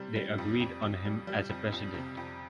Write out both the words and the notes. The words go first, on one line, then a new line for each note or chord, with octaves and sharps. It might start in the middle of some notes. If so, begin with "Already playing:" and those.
They agreed on him as a president.
Already playing: C3 G3
G3
F2
F2
F2
G3
G3
F2
F2
C3
F2